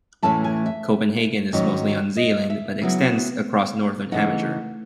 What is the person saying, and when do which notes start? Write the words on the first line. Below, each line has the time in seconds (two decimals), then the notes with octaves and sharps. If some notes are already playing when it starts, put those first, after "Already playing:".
Copenhagen is mostly on Zealand but extends across northern Amager.
0.23 A2 E3 A3 C#4 E4 A5
0.44 G#5
0.66 E5
1.53 G#2 D#3 F#3 C#4
2.17 D#5
2.50 E5
2.81 C#3 F#3 B3 E4
4.12 C#3 E3 A3 D#4 F#5